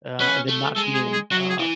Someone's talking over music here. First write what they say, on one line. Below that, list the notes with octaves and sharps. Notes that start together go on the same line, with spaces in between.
uh, and then not being, uh
C#4 B4
A3
G#3 A4
G#4
G#4
F#3 F#4
G#4
E3